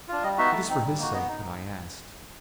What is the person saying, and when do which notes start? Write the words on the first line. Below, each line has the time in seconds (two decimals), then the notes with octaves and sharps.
It is for his sake that I asked.
0.09 D4 F4
0.23 G3 D#5
0.38 B3 D#4 F#4 E5
0.53 A3
0.68 C4 D#4
0.83 G3
0.98 A#3 D#4 F#4
1.13 B3 D#5
1.28 D#4